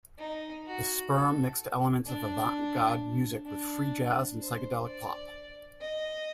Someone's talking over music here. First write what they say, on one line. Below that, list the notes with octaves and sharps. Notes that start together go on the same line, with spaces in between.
The Sperm mixed elements of avant-garde music with free jazz and psychedelic pop.
D#4
F#4
A4
D4
D4
C5
D5
D#5